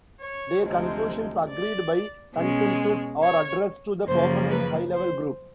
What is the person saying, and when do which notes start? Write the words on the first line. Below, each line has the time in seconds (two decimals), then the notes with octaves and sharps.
Their conclusions, agreed by consensus, are addressed to the Permanent High Level Group.
0.20 C#5
0.63 D2 C3 F3 G#3
1.49 D5
2.35 B2 G#3 C#4
3.22 C#5
4.08 F#2 C#3 F3 A#3 C5
4.50 B4
4.94 C5